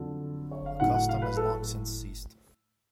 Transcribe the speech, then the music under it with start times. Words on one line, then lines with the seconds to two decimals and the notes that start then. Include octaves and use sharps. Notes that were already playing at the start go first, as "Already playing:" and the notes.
The custom has long since ceased.
Already playing: F2 D3 F#3 A4
0.51 C#5
0.66 F5
0.80 A2 F#3 F#5
0.94 F#5
1.09 F5
1.22 B4
1.37 A4